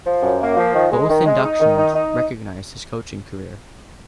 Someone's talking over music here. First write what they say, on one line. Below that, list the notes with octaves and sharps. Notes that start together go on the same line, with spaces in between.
Both inductions recognized his coaching career.
F3
F#2
A#3
F3
D#3
G#3
D#3
G#3
D#4
D#3
D#4
D#4